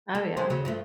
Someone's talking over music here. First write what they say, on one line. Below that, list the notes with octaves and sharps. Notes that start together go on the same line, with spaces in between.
Oh, yeah.
A4
G3 G#3 C5
D#2 C#3 F#3
G2 F3 A3